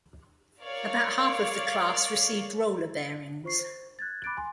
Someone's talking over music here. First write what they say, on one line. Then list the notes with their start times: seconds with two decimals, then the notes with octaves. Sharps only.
About half of the class received roller bearings.
0.61 A#4 C#5 D5 F5
3.44 F4 C5 C#6 C7
3.59 C5
3.99 F#6 G#6 A6
4.24 B5 D6 F#6 A6 D7
4.37 G#5 C6